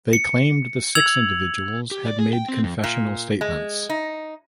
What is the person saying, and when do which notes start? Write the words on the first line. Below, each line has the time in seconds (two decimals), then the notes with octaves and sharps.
They claimed the six individuals had made confessional statements.
0.13 C#7
0.95 E6 G#6 F7 F#7
1.91 G4
2.06 D5
2.19 G#4
2.33 G5
2.48 C4
2.64 F2
2.84 A#2
3.41 G#3
3.89 D#4